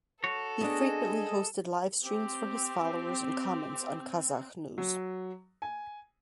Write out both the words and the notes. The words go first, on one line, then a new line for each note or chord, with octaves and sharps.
He frequently hosted live streams for his followers and comments on Kazakh news.
F#4 A4 C#5
B3 D4 G#4 D#5
C4 G4
F#3
G#5